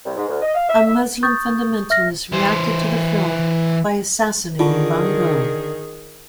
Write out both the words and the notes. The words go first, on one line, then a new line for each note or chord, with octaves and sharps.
A Muslim fundamentalist reacted to the film by assassinating Van Gogh.
C2
G#2
D2
D#5
F5
E5
E5
C#6 D#6 G6 A6
E5 F6 A#6
E3 C5
D3 D#3 F4 G#4 A5 C#6